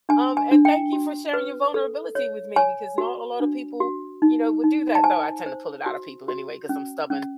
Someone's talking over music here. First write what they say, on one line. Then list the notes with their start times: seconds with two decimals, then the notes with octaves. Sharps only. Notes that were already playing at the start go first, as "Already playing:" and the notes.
um, and thank you for sharing your vulnerability with me, because not a lot of people, you know, would do that, though I tend to pull it out of people anyway, 'cause I'm stubborn,
0.09 D4 G#5
0.37 G#5
0.51 D4
0.65 G5
0.93 F#4
1.34 B4
1.74 A4
2.15 C#5
2.56 C#5 G#5
2.98 F#4
3.40 D4
3.80 F#4
4.22 D#4
4.64 D#4
4.95 A5
5.04 C5 G#5
5.46 C5
5.86 F#4
6.28 F#4
6.69 C#4
7.10 C#4